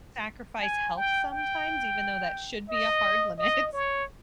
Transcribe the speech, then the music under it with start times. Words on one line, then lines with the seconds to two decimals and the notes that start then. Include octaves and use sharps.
sacrifice health sometimes, even though that should be a hard limit.
0.62 G#5
0.97 G5
1.31 G5
2.69 D#5
3.38 D#5
3.73 C#5